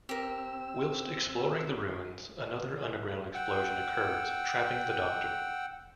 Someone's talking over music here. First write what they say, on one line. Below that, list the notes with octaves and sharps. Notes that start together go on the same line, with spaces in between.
Whilst exploring the ruins, another underground explosion occurs, trapping the Doctor.
C4 G4 A#4 E6
F#5 G5 E6